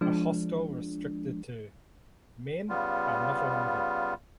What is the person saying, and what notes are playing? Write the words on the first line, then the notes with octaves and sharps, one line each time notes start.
A hostel restricted to "men are not allowed in".
F3 G#3 D4
C#3 G3 B3 F4